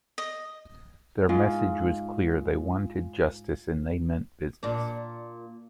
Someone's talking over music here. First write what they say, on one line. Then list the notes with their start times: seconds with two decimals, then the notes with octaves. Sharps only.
Their message was clear: They wanted justice and they meant business.
0.18 D#5
1.29 G#2 F4
4.63 A#2 D4